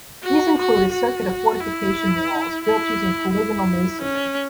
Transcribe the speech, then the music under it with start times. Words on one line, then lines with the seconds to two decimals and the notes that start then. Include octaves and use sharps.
These include a circuit of fortification walls built using polygonal masonry.
0.23 F#4
0.58 F#4
0.92 F#4
1.61 E4
2.64 E4
3.32 E4
4.01 C#4